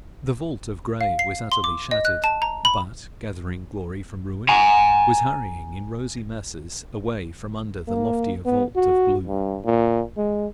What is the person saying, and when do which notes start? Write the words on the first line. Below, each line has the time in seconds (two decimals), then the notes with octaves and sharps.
The vault of grey was utterly shattered, but, gathering glory from ruin, was hurrying in rosy masses away from under the loftier vault of blue.
1.01 F5
1.19 C7
1.52 C6
1.64 D6
1.91 D#5
2.05 F#6
2.24 A5
2.42 A#5
2.65 B5
4.49 G#5 A#5
7.88 A#3
8.45 B3
8.76 F#4
9.28 G2
9.65 A#2
10.17 G#3